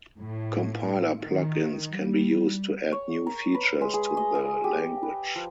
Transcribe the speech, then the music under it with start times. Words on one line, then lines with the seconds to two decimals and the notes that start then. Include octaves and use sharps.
Compiler "plug-ins" can be used to add new features to the language.
0.18 A2
1.22 D#3
1.96 G3
2.92 C#5
3.27 A#4
3.55 B4
3.81 G#3
3.94 G#4
4.17 D#5
4.35 G#4
4.64 G4
5.03 B4
5.35 F3